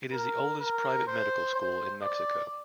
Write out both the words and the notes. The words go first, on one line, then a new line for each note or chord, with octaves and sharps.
It is the oldest private medical school in Mexico.
A#4
A#4
C5
C5
D5